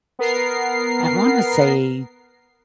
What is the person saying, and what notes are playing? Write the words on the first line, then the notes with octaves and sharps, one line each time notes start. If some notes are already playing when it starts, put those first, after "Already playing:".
I wanna say
B3 A#4 C7